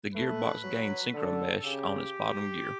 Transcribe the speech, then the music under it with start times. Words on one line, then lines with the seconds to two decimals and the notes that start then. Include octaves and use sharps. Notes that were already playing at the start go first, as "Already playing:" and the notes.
The gearbox gained synchromesh on its bottom gear.
0.15 A3 B4
0.64 F#3
1.14 D3 A4
1.63 C#3 G4